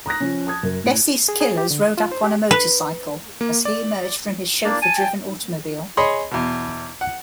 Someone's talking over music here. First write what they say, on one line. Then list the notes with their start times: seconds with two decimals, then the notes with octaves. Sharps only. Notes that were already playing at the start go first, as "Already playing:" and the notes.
Besse's killers rode up on a motorcycle as he emerged from his chauffeur-driven automobile.
0.06 A#5 D#6 F#6 A#6
0.20 F3 C#4
0.47 A5 D#6 G#6
0.63 F#2 A#4
0.84 A2 D7
1.29 G#4
1.41 G#4
1.58 G4
1.71 D3
1.82 D#5
1.98 F4
2.12 C5
2.24 G4
2.51 B4
3.41 A#3
3.65 D5
4.64 A#3 D4 D5
4.82 G#5 A5 D#7
4.96 G5
5.97 G#4 C#5 D#5 B5 C6
6.31 E2 B2
7.01 F#5